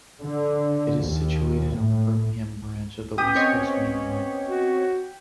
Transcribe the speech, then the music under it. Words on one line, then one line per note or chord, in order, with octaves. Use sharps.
It is situated on the Birmingham branch of the West Coast Main Line.
D3
D#2
A2
E3 B3 C#4 G4 D#6
C4 C#5 D#5
F#4